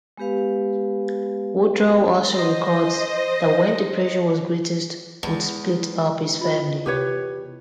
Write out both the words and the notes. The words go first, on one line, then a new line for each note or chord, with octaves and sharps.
Wodrow also records that when the pressure was greatest would split up his family.
G#3 B3 G4 B4 F5
C5 D#5
E2 G#3
F4 D#5
C3 G4 B4 C#5